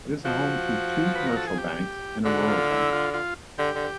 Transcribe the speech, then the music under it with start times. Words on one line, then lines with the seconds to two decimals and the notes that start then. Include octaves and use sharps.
It is home to two commercial banks and a rural bank.
0.25 F3 F#4
1.15 B4
1.26 A#4
1.37 A4
1.47 G#4
1.58 G4
2.25 D3 F#4
2.48 F4
2.70 E4
2.92 F4
3.14 F4
3.58 D3 G4
3.75 D3